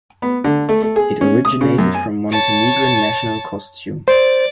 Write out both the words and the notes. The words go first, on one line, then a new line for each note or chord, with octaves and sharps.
It originated from Montenegrin national costume.
B3
D3
A3
A3
G#4
C#4
D#6
C#3
F#2
G#5
C#5 A5
C5 D5